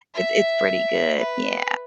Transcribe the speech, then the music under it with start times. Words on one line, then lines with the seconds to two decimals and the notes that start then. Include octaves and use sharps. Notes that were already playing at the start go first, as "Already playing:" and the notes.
it's it's pretty good. Yeah,
0.15 E5
1.19 B4